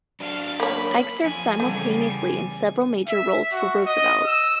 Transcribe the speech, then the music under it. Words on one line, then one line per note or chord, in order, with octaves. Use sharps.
Ickes served simultaneously in several major roles for Roosevelt.
F#3 D4 A4 F5
A#3 C#5 B5
F2 G#5
E2 C#3 G3 A3
E5
F#4
D#5
E6